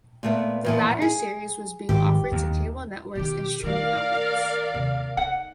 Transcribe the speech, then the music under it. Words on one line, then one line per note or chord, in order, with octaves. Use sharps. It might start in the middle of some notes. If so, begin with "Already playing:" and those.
The latter series was being offered to cable networks and streaming outlets.
A#2 A3 B3
E2 A#2 F3
G#4
G#1 G4
D#2
B2 D#3 G4
D#3 A3 A#4 D5 F5
D#2 C3
D#4 F#5